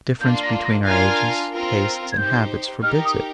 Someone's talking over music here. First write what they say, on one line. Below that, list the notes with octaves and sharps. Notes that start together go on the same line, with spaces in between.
The difference between our ages, tastes, and habits, forbids it.
A#3 D4 F4 G6
A#6
A#6
D4 F4 A#4 F5 G#5 G#6
C4 F4 A#4
G#6
D#4 G4 C5 G6
D#4 G4 A#4 F6
D#6